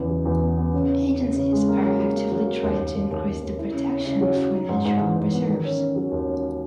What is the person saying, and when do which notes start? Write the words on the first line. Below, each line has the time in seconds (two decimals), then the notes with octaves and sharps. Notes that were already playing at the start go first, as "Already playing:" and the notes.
Agencies are actively trying to increase the protection for natural preserves.
Already playing: E2 C#3
0.09 F#3
0.25 E2
0.41 B3
0.57 B3
0.73 C#3
0.89 C#4
1.05 C#3
1.21 C#3
1.37 C#3
1.52 G#3
1.68 A#3
1.84 F#3
2.00 F#3
2.15 A#3
2.32 F#3
2.47 A#3
2.63 D#2
2.79 D#2
2.95 D#2
3.11 D#2
3.27 D#2
3.42 D#2
3.59 E4
3.74 C#3
3.90 C#4
4.06 C#3
4.21 F#3
4.37 C#4
4.54 D#4
4.69 G#2
4.85 G#2
5.01 E3
5.17 G#2
5.32 B3
5.48 D#3
5.65 C#4
5.79 C#4
5.96 F#3
6.11 D#2
6.28 C#4